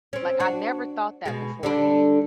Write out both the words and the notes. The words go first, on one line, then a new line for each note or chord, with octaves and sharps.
Like, I never thought that beforehand.
C4 C#4
D4 F#4
B2 G#3
D3 G3 D4